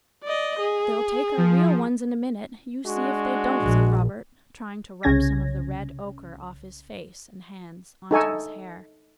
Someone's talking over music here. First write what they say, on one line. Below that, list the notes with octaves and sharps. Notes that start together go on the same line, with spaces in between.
'They'll take our real ones in a minute; you see if they don't,' said Robert, trying to rub some of the red ochre off his face and hands on to his hair.
D5 D#5
G#4
F3
G#3 D4 F#4
A#1
C2 C#3 C#4 G#6 A#6
D#4 A4 G#5 C#6